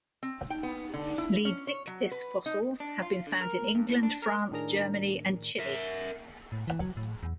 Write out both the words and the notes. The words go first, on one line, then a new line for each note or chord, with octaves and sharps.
"Leedsichthys" fossils have been found in England, France, Germany and Chile.
C4
G5
B3
D3
E4
C#4
C#5
F#3
B4
D#4
D4
F4
D3
A#4
G2
A2
D4
A#4
A2 D#3 D4 G#4 A#4 A#5
A#4 E5
A2
E3
F#3
A2
E2